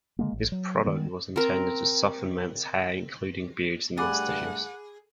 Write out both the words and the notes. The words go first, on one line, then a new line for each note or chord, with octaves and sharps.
His product was intended to soften men's hair, including beards and mustaches.
D3 G#3 A#3
A1
F#3
D#3 G3 G#3 B3
C4 A#4
G2 G3 A3 G#4 F#5 B5 D6 A6